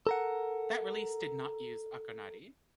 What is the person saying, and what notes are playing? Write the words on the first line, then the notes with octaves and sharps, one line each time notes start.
That release did not use Akonadi.
A4 A#4 F#5